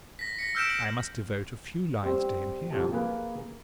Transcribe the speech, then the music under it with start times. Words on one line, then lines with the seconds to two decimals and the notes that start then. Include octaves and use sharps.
I must devote a few lines to him here.
0.19 A#6 B6
0.39 A#6 B6 C#7
0.55 E6 F6 G6 B6 D7 E7
0.70 F#7
2.03 G3 C4
2.71 C2 F2 C3 A5
2.92 A#3 G#4 B4